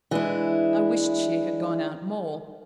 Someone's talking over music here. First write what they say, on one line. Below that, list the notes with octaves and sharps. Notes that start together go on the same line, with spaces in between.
I wished she had gone out more.
E3 G#3 D4 E4